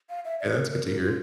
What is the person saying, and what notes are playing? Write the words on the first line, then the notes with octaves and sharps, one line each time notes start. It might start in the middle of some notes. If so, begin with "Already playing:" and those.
Yeah, that's good to hear.
F5
E5
D5
C#5
A#4
A#4
A#4
F4